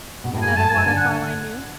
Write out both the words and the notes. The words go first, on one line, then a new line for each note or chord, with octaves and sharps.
"Another waterfall I knew."
B2
A2
G#2 G#5
F#2 A5
G#2 G#5
D3 G#5
F#5